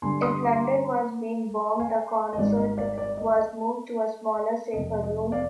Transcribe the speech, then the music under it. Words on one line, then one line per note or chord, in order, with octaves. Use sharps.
If London was being bombed, the concert was moved to a smaller, safer room.
G2 D3 G3 D4 G#5 C6
C6 D#6
D6
C6
A#5 D6
F5 G#5
D#5
G#1 G#2 D#3 G3 D5
D#5
D5 F5
D5
D#5
D#5
F1 F2 C3 D#5
D#5
D5 F5